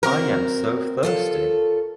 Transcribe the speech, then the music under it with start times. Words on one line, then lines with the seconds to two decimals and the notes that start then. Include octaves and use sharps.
I am so thirsty.
0.03 C4 F#4 A#4
1.03 F4 A4 C#5